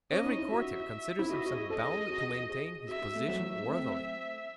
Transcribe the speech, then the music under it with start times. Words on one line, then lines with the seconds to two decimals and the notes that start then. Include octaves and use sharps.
"Every courtier considers himself bound to maintain his position worthily."
0.12 C#4 D#5
0.24 D#4
0.38 E4
0.51 F#4 E5
1.19 E4
1.31 F#4 D#5
1.46 F#4
1.50 G#4
1.70 A4 D#5
1.90 G#4
2.10 F#4
2.29 F#4
2.49 G#4
2.88 F#4 E5
3.02 F#4
3.15 A3
3.28 F#3 E5
3.63 A3
3.68 C4